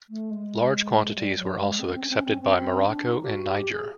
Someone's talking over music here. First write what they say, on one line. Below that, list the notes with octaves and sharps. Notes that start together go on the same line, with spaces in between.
Large quantities were also accepted by Morocco and Niger.
A3
G#3
G3
F#3
G#3
C4
C#4
C4
C#4
C4
C#4
C4
C#4
C4
C#4
D4
D#4
G4
F#4
G4
G#4